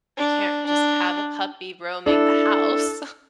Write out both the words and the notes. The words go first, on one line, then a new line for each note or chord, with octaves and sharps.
I can't just have a puppy roaming the house."
D4
D4
D4 E4 A4